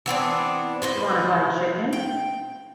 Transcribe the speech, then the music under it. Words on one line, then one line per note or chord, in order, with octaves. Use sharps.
You want to buy chicken?
E3 B3 C4 D4
B4 C5 D#5
G5